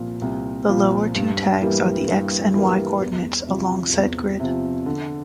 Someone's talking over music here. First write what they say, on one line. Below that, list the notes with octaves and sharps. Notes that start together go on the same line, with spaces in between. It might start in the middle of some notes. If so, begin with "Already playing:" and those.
The lower two tags are the "X" and "Y" coordinates along said grid.
Already playing: C2 A#2 F3
C2
A#2 F3
G2
E3 G3 A#3
G2
E3 G3 A#3
E2
C3 F3
E2
C3 F3
D3